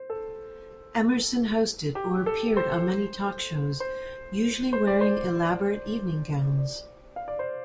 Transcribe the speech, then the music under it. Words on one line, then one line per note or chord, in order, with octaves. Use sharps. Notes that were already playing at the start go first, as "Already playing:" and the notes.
Emerson hosted or appeared on many talk shows, usually wearing elaborate evening gowns.
Already playing: C5
A4
G4
A4
C5
C5
C5
D5
C5
D5
F5
D5
C5